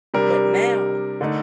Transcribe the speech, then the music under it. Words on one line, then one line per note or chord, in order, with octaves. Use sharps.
But now,
C3 G3 D4 A#4
D3 A3 D#4